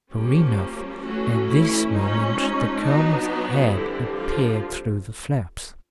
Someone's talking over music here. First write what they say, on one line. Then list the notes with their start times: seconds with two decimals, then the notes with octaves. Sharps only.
Sure enough, at this moment the Colonel's head appeared through the flaps.
0.12 F3 G3 A#3 C#4 G4
1.01 E3 F#3 A3 C#4 F#4
1.47 E3 E4
1.92 F3 G#3 C#4 D#4
2.36 D#4
2.81 F#3 B3 D4 D#4
3.25 D#4
3.70 D3 E3 G3 C4 E4
4.15 F3 F4